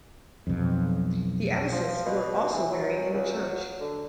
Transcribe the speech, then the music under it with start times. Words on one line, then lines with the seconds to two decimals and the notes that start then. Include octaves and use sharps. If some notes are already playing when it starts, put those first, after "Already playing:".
The abbesses were also buried in the church.
0.47 B1 F2
1.72 F3
2.06 B2
2.50 E3
2.71 F#3
3.13 C#2
3.33 F#3
3.80 D3